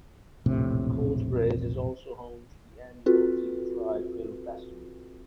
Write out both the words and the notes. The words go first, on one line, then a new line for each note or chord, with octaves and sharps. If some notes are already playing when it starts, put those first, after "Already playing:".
Coatbridge is also home to the annual Deep Fried Film Festival.
E1 A#1 A2 C3
C4 F4 F#4 A4 B4